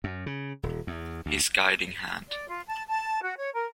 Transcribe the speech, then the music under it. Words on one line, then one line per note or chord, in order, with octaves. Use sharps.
His Guiding Hand.
F#2
C#3
D#1
E2
D2
D5
F4
A5
A5
F#4
C#5
A#4